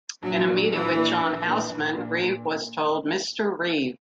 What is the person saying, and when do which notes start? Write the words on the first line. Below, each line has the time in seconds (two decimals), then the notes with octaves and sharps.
In a meeting with John Houseman, Reeve was told, Mr. Reeve.
0.23 A#1 F#3
0.48 A#2 A#3 D4
0.72 A#1 E3
0.96 A#2 A#3 D4
1.20 A#1
1.46 A#2 A#3 D4
1.70 A#1
1.95 A#2 A#3 D4
2.19 A#2